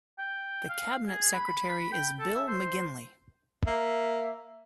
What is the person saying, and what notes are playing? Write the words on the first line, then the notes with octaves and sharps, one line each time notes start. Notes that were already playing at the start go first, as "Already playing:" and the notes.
The Cabinet Secretary is Bill McGinley.
G5
F5
G#4
B5
B5
B5
G5
A4
E5
C5
A#3 E5